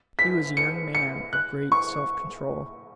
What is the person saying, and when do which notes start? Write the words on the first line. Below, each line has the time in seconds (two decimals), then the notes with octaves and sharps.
He was a young man of great self-control.
0.19 B6
0.57 C#7
0.95 C#7
1.33 F#6
1.72 C#6